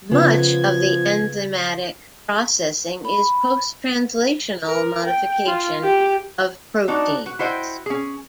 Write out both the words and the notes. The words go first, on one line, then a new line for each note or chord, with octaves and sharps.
Much of the enzymatic processing is post-translational modification of proteins.
C#3 F3 B3 F4 G#6
B5
A#4
G5
F4
G4
D4 D#4 F#4
F#4
E4 F#4 C5 D#5 F#5 G5
C#4 G#4